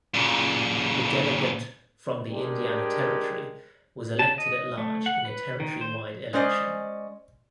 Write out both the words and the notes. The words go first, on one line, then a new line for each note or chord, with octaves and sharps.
The delegate from the Indiana Territory was elected at large in a territory-wide election.
A#2 C#3
G#3 D4 G4 A#4
A5
D#5
A3
F#5
B4
D#3
C5
G#3 C#4 C5 D5 D#5